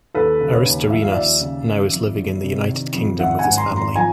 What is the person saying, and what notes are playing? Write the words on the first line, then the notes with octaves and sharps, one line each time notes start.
Aristorenas now is living in the United Kingdom with his family.
D#2 A4 B4
C#3
B4 C#5
D#2
F3 E5
F5
D#2 D5 E5
C#3
D#3
F2
G1
C3
D#3
F2
G#1 E5 F#5
F#5 G#5
G#2
A#5 C6
G#1
A#5 C6
F3 G#5 A#5